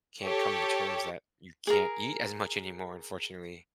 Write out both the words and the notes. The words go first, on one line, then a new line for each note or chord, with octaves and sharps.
can't come to terms that you can't eat as much anymore, unfortunately.
G4 A4 C#5
G#4 A#4